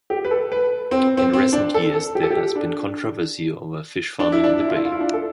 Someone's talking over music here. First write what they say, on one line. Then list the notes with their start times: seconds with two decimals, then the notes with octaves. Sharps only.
In recent years there has been controversy over fish-farming in the bay.
0.10 G4
0.25 B4
0.31 A4
0.52 B4
0.91 C4
1.17 C4
1.33 C4
1.53 D4
1.74 A4
1.95 A4
2.15 G4
2.23 A4
2.30 G4
2.56 D4
4.20 D4
4.32 E4
4.44 D4
4.60 E4
4.68 F4
4.77 E4
4.85 F4
4.92 E4
5.01 D4
5.13 A4